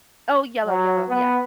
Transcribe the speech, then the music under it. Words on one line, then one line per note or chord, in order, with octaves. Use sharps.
Oh, yellow, yellow, yes.
F#3
B3